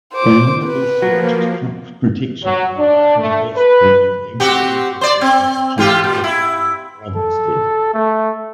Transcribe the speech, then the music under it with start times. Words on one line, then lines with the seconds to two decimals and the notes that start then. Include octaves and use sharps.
Garner researched crop protection and biodiversity in agroecosystems during her time at Rothamsted.
0.13 C5 D6
0.64 B4
1.02 F3 F#3 A#3
2.44 F#3
2.78 D4
3.18 A3
3.55 B4
4.40 C4 F#4 G4
5.01 C5 D5
5.21 C4
5.78 E3 F4 G4
6.04 A#2
6.24 E4
7.16 A4
7.94 A3